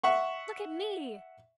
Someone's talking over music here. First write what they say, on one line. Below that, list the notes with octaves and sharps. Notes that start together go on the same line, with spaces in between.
"Look at me!"
E5 F#5 C#6